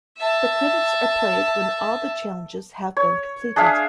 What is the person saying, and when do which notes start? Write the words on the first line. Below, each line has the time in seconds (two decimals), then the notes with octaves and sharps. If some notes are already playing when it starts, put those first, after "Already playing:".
The credits are played when all the challenges have been completed.
0.18 E5 A5
2.97 C#5
3.56 D4 G#4 E5 F5